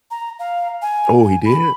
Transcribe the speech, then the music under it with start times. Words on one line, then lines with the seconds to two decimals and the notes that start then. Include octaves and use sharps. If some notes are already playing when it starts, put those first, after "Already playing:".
Oh, he did?
0.11 A#5
0.39 F5
0.82 G#5
1.23 G#5
1.46 B5